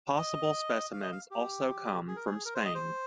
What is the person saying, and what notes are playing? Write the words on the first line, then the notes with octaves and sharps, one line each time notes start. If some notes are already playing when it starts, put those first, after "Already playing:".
Possible specimens also come from Spain.
D#5
F5
D#5
F5
G4
G#4
A#4
G#4
A#4
C5
D#5
C5